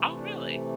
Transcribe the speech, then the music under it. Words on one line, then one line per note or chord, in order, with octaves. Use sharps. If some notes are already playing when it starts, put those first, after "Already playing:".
Oh, really?
Already playing: C3 E3 A3
D4